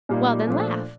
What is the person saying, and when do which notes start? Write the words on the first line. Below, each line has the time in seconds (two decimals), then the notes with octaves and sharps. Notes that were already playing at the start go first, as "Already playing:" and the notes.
"Well, then, laugh."
0.09 A#2 G3 A#3 D#4
0.47 A#2 F3 A3 D4